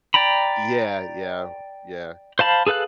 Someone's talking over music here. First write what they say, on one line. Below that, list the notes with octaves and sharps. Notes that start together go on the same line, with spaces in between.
Yeah, yeah, yeah.
D5 G5 A#5 B5
C5 F5 A5 B5
G#4 A4 B4 F5 F#6